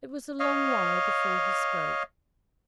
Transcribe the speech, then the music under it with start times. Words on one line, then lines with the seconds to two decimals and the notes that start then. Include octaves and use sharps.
It was a long while before he spoke.
0.40 C#5 D#5 F5